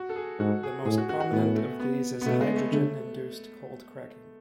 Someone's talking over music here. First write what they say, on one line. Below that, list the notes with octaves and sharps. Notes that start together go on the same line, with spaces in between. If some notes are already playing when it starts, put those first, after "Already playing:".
The most prominent of these is hydrogen induced cold cracking.
Already playing: F#4
A4
G#4
G#2 F#4
G#4
A2 G#4
F#4
F#4
F#4
A2 B3
A3
B3
B3
B2 A3
G#3
A3
D3 A3